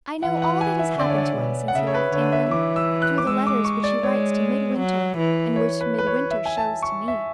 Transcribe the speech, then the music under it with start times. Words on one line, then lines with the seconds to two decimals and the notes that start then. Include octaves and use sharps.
I know all that has happened to him since he left England, through the letters which he writes to Midwinter, and which Midwinter shows to me.
0.23 E3 F#5
0.42 F#5
0.61 G#5
0.79 E5
0.98 D3 D5
1.09 C#5
1.18 D5
1.37 B2
1.68 F#5
1.74 C#3 E5
1.87 C#5
1.94 B4
2.12 D3 C#5
2.32 E5
2.50 E3 D6
2.76 E6
3.02 F#6
3.18 D6
3.27 G#3 E6
3.47 D6
3.65 C#6
3.84 D5
4.03 G#3 C#5
4.79 F#3
5.18 E3
5.56 C#5
5.81 B4
5.99 B4
6.07 C#5
6.31 E5
6.46 G#5
6.57 A5
6.83 C#6
7.08 E5